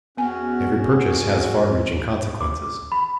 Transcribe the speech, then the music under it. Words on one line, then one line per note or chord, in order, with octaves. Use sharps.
Every purchase has far-reaching consequences.
E2 B3 C#4 F#4 G#5
D6
B5